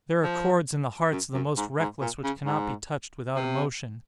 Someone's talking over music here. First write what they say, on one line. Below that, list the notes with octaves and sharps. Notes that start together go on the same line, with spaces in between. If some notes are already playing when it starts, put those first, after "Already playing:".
There are chords in the hearts of the most reckless which cannot be touched without emotion.
F3
F#2
F#2
G#2
G#2
A#2
C#3
G#2
C3